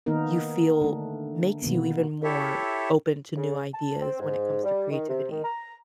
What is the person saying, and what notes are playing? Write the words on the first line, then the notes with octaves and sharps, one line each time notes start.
you feel makes you even more open to new ideas when it comes to creativity?
D#3 A#3 B3 D#4 A#4
D3 A3 D4
B2 D#3 A#3 B3
E4 G4 A4 C#5 E5
C#3
A5
C4
G#2
G3
D#3
C3
D#3
A#5